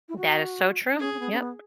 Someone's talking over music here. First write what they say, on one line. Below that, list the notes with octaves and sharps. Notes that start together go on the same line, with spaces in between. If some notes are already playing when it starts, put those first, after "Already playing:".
That is so true, yep.
E4
F#4
D#4
C#4 G#4
C#4
B3
C#4
B3